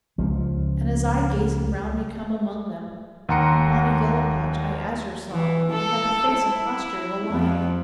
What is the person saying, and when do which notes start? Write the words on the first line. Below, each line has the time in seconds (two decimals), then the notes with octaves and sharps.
And as I gazing round me come among them, Upon a yellow pouch I azure saw That had the face and posture of a lion.
0.18 C#2 F3
3.29 D#2 F#5 A#5 C6 C#7
5.31 E3
5.72 A4
6.33 E4
7.29 F2